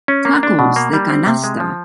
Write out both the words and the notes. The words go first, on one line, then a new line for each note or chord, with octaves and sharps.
Tacos de canasta!
C#4
A#3
D4
B2
A#3
G3
C4
C3
G#3
F3